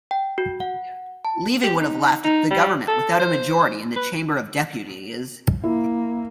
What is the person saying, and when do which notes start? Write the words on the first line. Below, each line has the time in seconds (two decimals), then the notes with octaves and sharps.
Leaving would have left the government without a majority in the Chamber of Deputies.
0.11 G5
0.38 F#4
0.60 F#5
1.25 A5
1.63 G4
1.81 D#4
2.24 D#4
2.51 G3
2.88 A4
3.20 C5
3.96 B4
5.64 A#3 E4